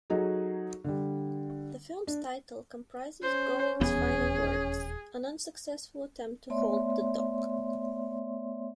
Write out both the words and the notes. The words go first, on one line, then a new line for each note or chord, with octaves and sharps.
The film's title comprises Gowan's final words, an unsuccessful attempt to halt the dog.
F#3 D#4 F#4 G#4 A4
D3 G3
D4
C#4 C5
D#1 E2 B3 G#4
A3 B3 C#5 D5 E5 C6